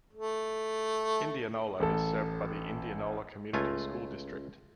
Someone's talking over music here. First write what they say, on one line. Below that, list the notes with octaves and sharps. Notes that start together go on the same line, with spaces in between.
Indianola is served by the Indianola Community School District.
A3
A1 A4
C#2 A3 F4 G#5